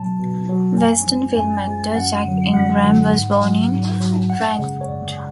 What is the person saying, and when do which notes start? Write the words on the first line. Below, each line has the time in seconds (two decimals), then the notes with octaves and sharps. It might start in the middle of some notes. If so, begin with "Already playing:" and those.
Western film actor Jack Ingram was born in Frankfort.
Already playing: B2 F#3 A5
0.19 B2
0.49 F#3
0.78 F#2 G#5
1.07 F3 G#3
1.36 F#2 G#5
1.65 F3 G#3
1.95 F#2 F#5
2.24 D3 F#3
2.53 F#2 F#5
2.83 D3 F#3
3.12 G#2
3.41 F#3
3.71 G#2
4.00 F#3
4.29 F#2 F#5
4.59 C#3 G#3
4.81 C#5
4.89 F#2 D5